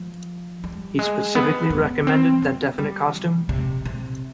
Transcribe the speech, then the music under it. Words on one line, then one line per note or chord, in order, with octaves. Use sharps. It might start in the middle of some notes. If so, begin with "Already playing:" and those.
He specifically recommended that definite costume?
Already playing: F3
G3
G#3
B3
B3
C4
B3
G3
C3
C3
C3